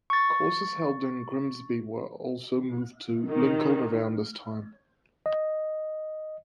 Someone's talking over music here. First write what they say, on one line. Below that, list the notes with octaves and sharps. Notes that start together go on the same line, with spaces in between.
Courses held in Grimsby were also moved to Lincoln around this time.
C#6 A6
D#3
D#5